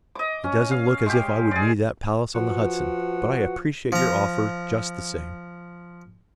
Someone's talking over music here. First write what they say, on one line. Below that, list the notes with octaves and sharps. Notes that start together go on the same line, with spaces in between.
"It doesn't look as if I would need that palace on the Hudson, but I appreciate your offer, just the same."
D#5 D6
C#4
F5
G#3 G4
G#4 D5
F3 F#4 B4 F#5
F3 A#5